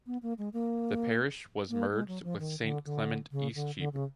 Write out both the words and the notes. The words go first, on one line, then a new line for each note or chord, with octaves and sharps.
The parish was merged with Saint Clement Eastcheap.
B3
A#3
G#3
A#3
A#3
G#3
F#3
F3
D#3
D3
D3
C#3
D3
D3
C#3